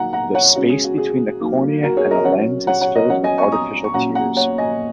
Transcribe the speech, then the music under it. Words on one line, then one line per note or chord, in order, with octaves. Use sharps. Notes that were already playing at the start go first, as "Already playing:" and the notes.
The space between the cornea and the lens is filled with artificial tears.
Already playing: F#3 A#3 D#4 F#5 A#5
F#5 A#5
C#5 F#5
C#3 G#3 C#4 F#4
G#4
F#4
G#4
F#3 A#3 D#4
F#4 A#4
G#4 C#5
A#4 D#5
F#3 C#4 C#5 F#5
C#5 F#5
C#5 F#5
A#4 D#5
F#3 C#4 C#5 F#5
D#5 G#5
G#5 C#6
A#5 D#6
C#6
A#2 F#3 C#4 F#5 A#5
F#5 A#5
C#5 F#5
D#5 G#5